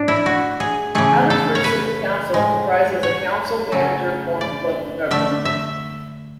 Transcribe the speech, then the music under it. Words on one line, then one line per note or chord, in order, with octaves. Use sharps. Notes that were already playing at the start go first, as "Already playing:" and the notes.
Abbotsford City Council comprises a council-manager form of local government.
Already playing: A2 D4
E4
F#4
G#4
C#3 E3 A3 G#4
A4
C#5
B4
A2 G#3
C#5
C#3 F#3 A3
D5
D3 A3 E5
E5